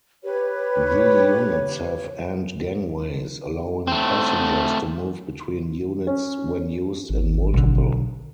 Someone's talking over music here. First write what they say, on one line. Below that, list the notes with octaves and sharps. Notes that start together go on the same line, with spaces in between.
The units have end-gangways, allowing passengers to move between units when used in multiple.
G4 B4 C#5
A3 C4
C#4
G#1
B1 D3